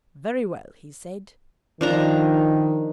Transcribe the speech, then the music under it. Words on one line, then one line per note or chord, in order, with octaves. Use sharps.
'Very well,' he said.
D#3 F3 D4 A#5